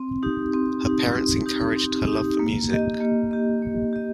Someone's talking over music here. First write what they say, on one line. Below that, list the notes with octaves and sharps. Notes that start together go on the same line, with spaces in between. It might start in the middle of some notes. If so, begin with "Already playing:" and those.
Her parents encouraged her love for music.
Already playing: C4
D#4 G4
C4
D#4 G4
C4
D#4 G4
C4
D#4
G4
A#3
G4 D#5
A#3
G4 D#5
A#3
G4 D#5